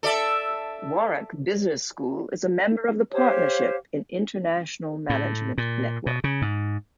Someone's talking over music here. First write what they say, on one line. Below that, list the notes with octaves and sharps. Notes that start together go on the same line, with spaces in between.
Warwick Business School is a member of the Partnership in International Management network.
A4 D5 E5
G4 C5 C#5 F5
A2
A#2
B2
C#3
G#2